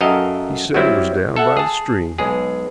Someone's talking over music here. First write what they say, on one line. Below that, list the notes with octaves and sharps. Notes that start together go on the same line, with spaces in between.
He said it was down by the stream.
F#2 A4 A#4 D#5 F5
F#3 G3 C4 E4
A4 E5 F#5
G#4 A5
B1 G#3 G#4